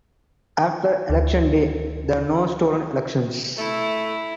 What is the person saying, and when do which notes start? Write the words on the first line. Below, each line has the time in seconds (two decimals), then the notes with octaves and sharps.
After election day, the No Stolen Elections!
1.10 D2
3.58 A3 E4